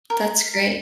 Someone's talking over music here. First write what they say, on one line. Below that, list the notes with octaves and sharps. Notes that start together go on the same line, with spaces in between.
That's great.
A#4